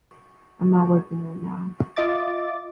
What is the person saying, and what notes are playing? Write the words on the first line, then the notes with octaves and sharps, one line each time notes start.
I’m not working right now.
F4 D#5 E5 D6 A6